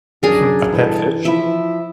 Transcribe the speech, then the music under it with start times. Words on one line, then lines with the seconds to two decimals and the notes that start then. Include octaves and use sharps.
Hmm, a pet fish?
0.23 F#2 D4 G#4 A#4
0.73 G2 E3 A4
1.25 F3 E4 E5